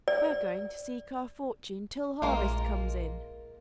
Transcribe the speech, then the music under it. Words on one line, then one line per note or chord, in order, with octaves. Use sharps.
"We're going to seek our fortune till harvest comes in."
D5
A#1 G#3 A#3 F4